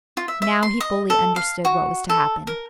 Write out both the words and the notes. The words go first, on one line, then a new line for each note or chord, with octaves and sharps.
Now he fully understood what was to happen.
F4
E5
E5
C6
D#5
A4
F5
F#4
A4
A#4